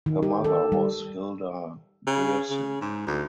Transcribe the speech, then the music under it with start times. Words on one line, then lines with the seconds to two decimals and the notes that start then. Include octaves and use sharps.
Her mother was Hilda Grierson.
0.06 D#3
0.23 G4
0.44 A4
0.72 G3
2.07 C#3
2.50 C#3
2.81 G#2
3.07 D2